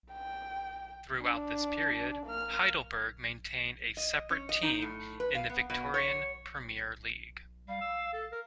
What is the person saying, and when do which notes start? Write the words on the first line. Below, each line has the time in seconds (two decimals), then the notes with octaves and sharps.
Throughout this period, Heidelberg maintained a separate team in the Victorian Premier League.
0.12 G5
1.23 D4
2.26 A#3 F6
3.97 D#5
4.30 C#4
4.49 D#5
4.63 D#4
4.82 A2
5.20 B4
5.35 F5
5.50 B3
5.70 B2
5.94 C#5
7.68 G3 F5
7.81 E6
8.13 A4
8.32 A#4